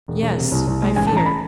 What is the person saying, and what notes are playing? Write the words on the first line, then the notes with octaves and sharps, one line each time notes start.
"Yes,--I fear."
E1
E1
C3
C2
C2
G#3
A1 G#5
A5
A1 A#5
B5